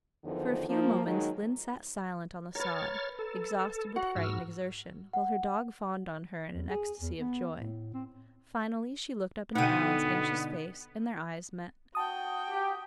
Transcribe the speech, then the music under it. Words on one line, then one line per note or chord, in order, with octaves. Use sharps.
For a few moments Lynde sat silent on the sod, exhausted with fright and exertion, while her dog fawned on her in an ecstasy of joy. Finally she looked up into Alan's anxious face and their eyes met.
E2 D3 D#3 F3 C5
F3 A#3
D#3 F#3 G#3 D#4 A#4
A#4 B4 C#5 F6 A6
A4
F#4 F#5
G#2 E6 F6
F#5
E2
G#4
E2
B3
A2
C4
B2 D3 B3 D#4 F#5 G5 D#7
F#4 G5 A5 D#6
G4